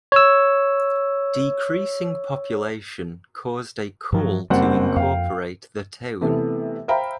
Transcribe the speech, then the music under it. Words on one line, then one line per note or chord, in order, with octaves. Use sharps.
Decreasing population caused a call to incorporate the town.
C#5 E6
G2 F3 F#3
F#1 G3 C4 F#5
F2 F5 G5
C3 E3 A3 B3
C5 E5 F5 G5 A#5 B5